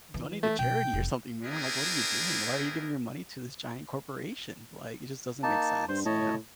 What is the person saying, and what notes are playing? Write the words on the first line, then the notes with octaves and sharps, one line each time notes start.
donate to charity or something, man, like, what are you doing? Why are you giving your money to this giant corporation? Like, it just doesn't make sense, you know?
E3
A3
B2 C#4 G5
F1
B3 C4 D4 E4 G#4 A#4
A#3 D#4 A5
G2 C5 C6
A2 C#5 D#5 A5